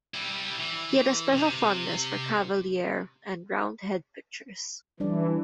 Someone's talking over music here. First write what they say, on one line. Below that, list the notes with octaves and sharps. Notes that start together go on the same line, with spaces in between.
He had a special fondness for Cavalier and Roundhead pictures.
G3 E4
E3
C3
E3 G3 D4 D5